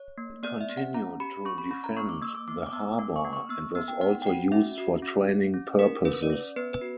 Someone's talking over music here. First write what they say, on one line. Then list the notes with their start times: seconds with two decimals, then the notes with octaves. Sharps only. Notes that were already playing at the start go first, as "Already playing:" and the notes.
It continued to defend the harbour and was also used for training purposes.
Already playing: C#5
0.18 A#3
0.43 B3 D5
0.61 E5
0.70 B3
0.77 F#5
0.94 C#4 A#5
1.20 G4 B5
1.45 C#4 C#6
1.58 B5
1.71 C#4 B5
1.84 A#5
1.97 A#3 C#6
2.09 D6
2.22 A#3 E6
2.35 D6
2.48 B3 D6
2.67 D6
2.73 B3 E6
2.99 A#3 D6
3.16 C#6
3.25 A#3
3.33 C#6
3.49 B3 E6
3.75 B3 E6
3.88 G5
4.01 B3 F#5
4.22 G5
4.26 F#4 F#5
4.52 C#4 E5
4.78 F#4
5.02 C#4
5.29 C#4
5.54 C#4
5.79 G4 A#4
6.05 C#4 B4
6.22 D5
6.30 C#4
6.56 B3 B4
6.73 B4
6.81 F#4